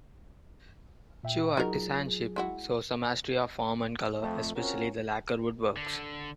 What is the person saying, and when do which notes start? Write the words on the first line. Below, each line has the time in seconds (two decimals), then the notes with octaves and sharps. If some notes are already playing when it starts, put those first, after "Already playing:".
Chu artisanship shows a mastery of form and color, especially the lacquer woodworks.
1.23 A#2 E5 G5
1.57 F#3 D#4 F4 F#4 G#4 A#4
2.36 G#3 E4 F#4
4.21 F2 A3
4.55 C4 C#4 F4 F#4 A#4
5.77 D3